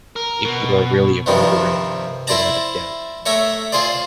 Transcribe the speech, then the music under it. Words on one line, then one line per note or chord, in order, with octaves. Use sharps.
If you are really a murdered, get out of doubt.
A#4
B2
G2 C3 D#3 F3 G3
E4 C5 D5 A5 A#5
A3 C#5 E5 A#5 D6
F4 G#4 C5 D5